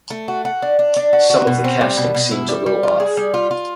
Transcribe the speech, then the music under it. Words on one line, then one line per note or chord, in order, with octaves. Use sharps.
Some of the casting seems a little off.
A3
F#4
F#4
D4
D4
D4
F#4
F#4
B2
C4
G3
B2
B2
E4
G3
G3
F4
G#4
G3
F4
F4